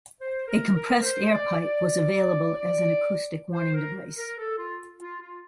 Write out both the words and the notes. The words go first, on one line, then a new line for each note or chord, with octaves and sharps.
A compressed air pipe was available as an acoustic warning device.
C5
A#4
A#4
C5
D5
D5
C5
A#4
A#4
A4
F4
F4
F4